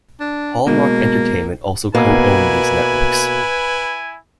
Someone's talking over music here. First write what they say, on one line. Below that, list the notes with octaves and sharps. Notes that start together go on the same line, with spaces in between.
Hallmark Entertainment also co-owned these networks.
D4
B2 G#3 A#3
B2 A#3 E4 B4 G#5